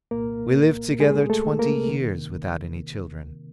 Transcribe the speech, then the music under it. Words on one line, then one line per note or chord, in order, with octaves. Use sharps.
We lived together twenty years, without any children.
C2 A#2 A#3 A#4
G#3 G#4
A3 A4
A#3 A#4
C3 D#3